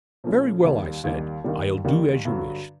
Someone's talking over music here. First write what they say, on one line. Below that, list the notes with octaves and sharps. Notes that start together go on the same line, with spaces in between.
"Very well," I said; "I'll do as you wish."
A#2 F3 A3 C#4 E4
D#2 D#3 G3
D#2 D#3 G3
D#2 D#3 G3
D#2 D#3 G3
G2 D3 F#3